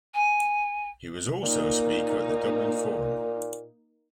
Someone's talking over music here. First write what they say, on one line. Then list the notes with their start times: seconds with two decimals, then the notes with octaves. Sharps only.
He was also a speaker at the Dublin Forum.
0.14 G#5
1.43 A#2 A#3 D#4